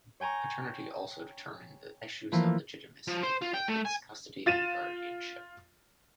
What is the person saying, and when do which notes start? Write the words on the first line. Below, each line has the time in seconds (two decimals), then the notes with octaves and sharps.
Paternity also determine the issues of legitimacy, maintenance, custody and guardianship.
0.20 C#5 G5 G#5 A#5 C#6
2.32 E3 F3 A3 A#3
3.08 F3
3.23 C5
3.42 F4
3.54 G5
3.68 A3
3.85 G#5
4.46 F4 A6 D#7 E7